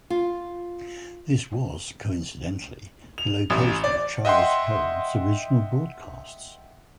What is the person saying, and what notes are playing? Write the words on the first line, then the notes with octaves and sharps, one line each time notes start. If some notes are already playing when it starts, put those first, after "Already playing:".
This was, coincidentally, the location of Charles Herrold's original broadcasts.
F4
F7
A1
D5
D#5 E5 F#5 G5 C6